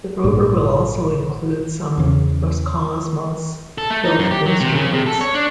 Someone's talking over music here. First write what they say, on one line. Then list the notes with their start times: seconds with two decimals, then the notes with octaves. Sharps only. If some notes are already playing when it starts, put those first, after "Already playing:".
The rover will also include some Roscosmos built instruments.
0.23 A#1 G#2 G3
1.97 E2 C#3
3.78 A4
3.90 A3
4.04 D#4
4.19 F#2
4.31 G4
4.46 F#3
4.60 C3
4.75 C#3
4.93 C3
5.06 A4
5.21 C#5
5.34 D4